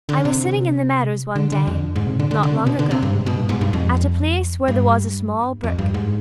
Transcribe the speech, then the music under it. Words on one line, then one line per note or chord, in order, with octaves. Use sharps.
I was sitting in the meadows one day, not long ago, at a place where there was a small brook.
D3
C3
D3
D3
F2
G#2
C3
D3
D3
D3
C3
B2
D3
C3
G2
G#2
B2
G2
G#2
G2
F2
G2
F2
G2
G#2